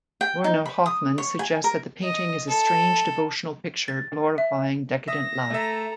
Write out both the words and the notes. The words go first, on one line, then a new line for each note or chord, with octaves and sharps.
Werner Hofmann suggests that the painting is a strange devotional picture glorifying decadent love.
G5
D#4
B5
D#6
C#5
G#5
A#4
D#5
A4
A6
E5
E5 D#6 A#6
A3 A4 E5 A#5